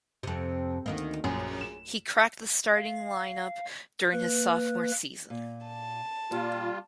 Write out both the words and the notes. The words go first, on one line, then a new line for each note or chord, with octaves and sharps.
He cracked the starting lineup during his sophomore season.
F2 C3
D2 D#3 A#3
A#1 F#2 G#4
E7
F5
A#3 B4
A#2
A5
A#2 G3 F4